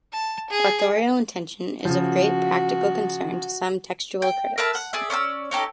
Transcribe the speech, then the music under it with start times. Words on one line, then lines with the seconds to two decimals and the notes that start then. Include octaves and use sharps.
Authorial intention is of great practical concern to some textual critics.
0.13 A5
0.50 G#4
1.85 C#3 F3 F#4
4.22 G5
4.58 A#4 B4 E5 A5
4.75 F#5
4.93 G#4 D5 E5
5.10 C#4 D5 C6 E6
5.51 C#4 D#4 G4 A4